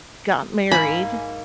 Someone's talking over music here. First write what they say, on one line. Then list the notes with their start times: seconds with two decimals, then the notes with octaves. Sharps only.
got married,
0.72 G#2 A#3 G#5 B5